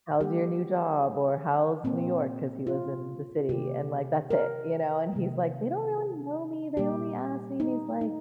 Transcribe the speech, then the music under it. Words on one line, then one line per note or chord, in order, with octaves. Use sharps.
"How's your new job?" or "How's New York?" 'cause he lives in the city and like that's it, you know, and he's like, "They don't really know me, they only ask me these like
D#3 G3 A#3 G4
A#2 A#3 C4
F4
C3 D#3 A#3 G4
A#4
C3 D#3 A#3
A#2 G3 A#3 G4
D#4
D#4